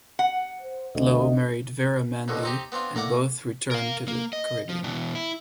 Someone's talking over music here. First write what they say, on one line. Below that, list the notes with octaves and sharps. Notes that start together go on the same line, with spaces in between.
Ludlow married Vera Manley and both returned to the Caribbean.
F#5
C5
D2 D#5
D#2 B2 D3 D#3
C4 D#4 G4
B3 C4 D4 F4
A2 A#3 D5 F#5 D6
A#4 F5
A#3
D#5
F3
B2 E3
E4